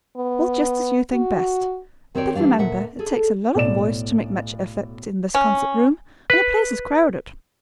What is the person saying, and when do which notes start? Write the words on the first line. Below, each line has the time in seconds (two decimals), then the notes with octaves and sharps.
Well, just as you think best. But remember, it takes a lot of voice to make much effect in this concert-room, and the place is crowded.
0.17 B3
1.14 F#4
2.15 D#3 C4 F#4 C#5 D5
2.35 E3 G3 D4 F5
2.58 D2 A#2 E5 F#5
2.99 G#4 A4
3.55 B1 A2 D5 E7
5.35 C#4
6.30 B4